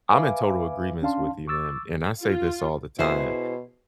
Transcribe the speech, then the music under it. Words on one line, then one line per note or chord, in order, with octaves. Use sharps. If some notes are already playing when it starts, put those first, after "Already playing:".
I'm in total agreements with you, man. And I say this all the time,
B4 E5 F5 G#5 B5 D6
C#4 D4 F5 A5 C6
C#6 D6 E6 A6
F4
B2 E4 G#4 C5